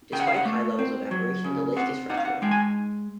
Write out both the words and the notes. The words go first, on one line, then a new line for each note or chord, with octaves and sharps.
Despite high levels of evaporation, the lake is fresh water.
C#3 G5
F#5
F5
F#5
A3
C4
F#3
C#3
C4 F#5
D#4 F#5
F5
F#5
G#3 G5
G#5